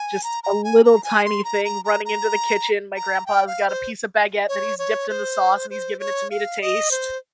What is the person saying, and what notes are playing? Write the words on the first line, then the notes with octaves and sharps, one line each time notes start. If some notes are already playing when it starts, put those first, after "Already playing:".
Just a little tiny thing running into the kitchen. My grandpa's got a piece of baguette that he's dipped in the sauce and he's given it to me to taste.
Already playing: G#5
A#5
A#5
G#5
A#5
G#5
C6
A#5
A#5
A#5
A#5
A#5
G5
F5
C5
C#5
C#5
C5
C5
C#5
F5
D#5
C5